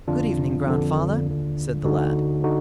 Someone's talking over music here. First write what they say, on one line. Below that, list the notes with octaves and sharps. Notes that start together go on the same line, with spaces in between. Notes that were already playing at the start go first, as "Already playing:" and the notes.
'Good evening, grandfather!' said the lad.
F2 D3 D4 F4
F2 D3
D#2 D3
D2 D3 D#4 F#4
D3 D#4 F#4